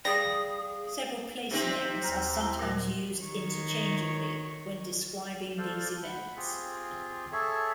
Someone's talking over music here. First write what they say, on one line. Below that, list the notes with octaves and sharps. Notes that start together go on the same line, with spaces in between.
Several place names are sometimes used interchangeably when describing these events.
G3 G#4 F5 A#6
C3 C4 D#4
D#2 A#5 F6 G6
E4
A#2 F#3 F#4 A#4
D#3 C#5
A4 C5 D5 F5
F#5 B5
C4 F4 G4 G#4
G#4 A4 C#5 E5